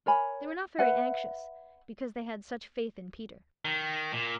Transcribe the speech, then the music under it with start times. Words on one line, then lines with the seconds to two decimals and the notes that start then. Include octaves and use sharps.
They were not very anxious, because they had such faith in Peter.
0.06 A#4 C#5 G#5 B5
0.78 B4 E5 F#5
3.65 D#3
4.12 A#2